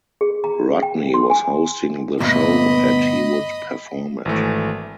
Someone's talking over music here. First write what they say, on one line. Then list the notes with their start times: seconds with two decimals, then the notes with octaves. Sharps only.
Rodney was hosting the show, and he would perform it.
0.21 G#4
0.44 A#5
0.83 G5
1.14 C6
1.30 G#5
2.20 D2 G2 A#2 B3 D#5 B5
4.25 G#1 E3 A3